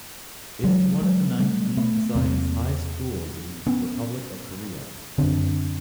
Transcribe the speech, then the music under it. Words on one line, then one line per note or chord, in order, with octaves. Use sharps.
It is one of the nineteen science high schools in Republic of Korea.
F#3 G#3
F#3 G#3
G3 A3
A3 B3
E2 C3 A#3 C4
B3 C#4
F#2 D3 C4 D4